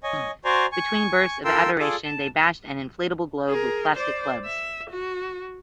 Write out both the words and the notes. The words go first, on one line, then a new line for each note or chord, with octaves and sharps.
Between bursts of adoration, they bashed an inflatable globe with plastic clubs.
C#5 D#5 G#5
F#4 C5 D5 G#5 A#5 C6
G#5 C#6
F4 A4 A#4 G5 C6 E6
F4 G#4 A4 D5
A5
G#4 A#4
C5 D5
E5
F#4